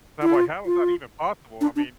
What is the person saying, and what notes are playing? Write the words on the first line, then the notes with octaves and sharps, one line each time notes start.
And I'm like, "How is that even possible?" I mean,
E4
F4
F4
D4
D4